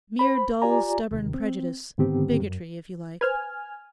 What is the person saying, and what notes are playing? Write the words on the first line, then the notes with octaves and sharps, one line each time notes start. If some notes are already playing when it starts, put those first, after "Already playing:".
Mere dull, stubborn prejudice; bigotry, if you like.
C5 B5
F4 G4 D5 G#5 A#5
D#2 C3 D#3
C4
G#2 D3 D#3 B3 C4 G4
F#2
B4 C5 G#5 F6